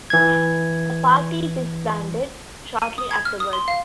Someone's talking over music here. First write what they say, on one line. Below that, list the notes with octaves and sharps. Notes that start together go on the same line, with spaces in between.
The party disbanded shortly afterwards.
E3 G#6
D#7
D#6
G#6
F6
D#6
C6
F5